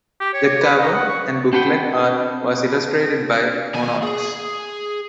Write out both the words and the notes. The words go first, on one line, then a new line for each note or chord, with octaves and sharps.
The cover and booklet art was illustrated by Monaux.
G4
C#5
B4
D#4
F#5
C#6
C4 D4 B4 F#5 G5
D#2 G#5
G#4